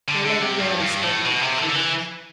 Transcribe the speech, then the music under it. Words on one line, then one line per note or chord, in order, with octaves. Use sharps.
My lady rarely spoke out her feelings.
D3
D3
C3
G2
G2
A2
B2
C3
D3
D3
E3